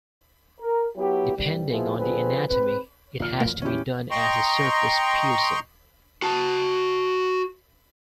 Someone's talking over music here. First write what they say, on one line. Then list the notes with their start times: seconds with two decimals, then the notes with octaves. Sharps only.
Depending on the anatomy it has to be done as a surface piercing.
0.60 A#4
0.97 F#3 B3 E4 G4
1.36 C2 G2 G3
1.69 B2 F3 B3 E4 G#4
1.97 D3 F3 C4 G#4 B4
2.47 G#2 C4 B4
3.20 A#1 D#2 A#2 F6
3.40 F2 E3 F#3 A#3
3.62 E2 C#4 E4 G4
4.11 D#5 G5 A#5 C6 C#6
6.22 F#4 A5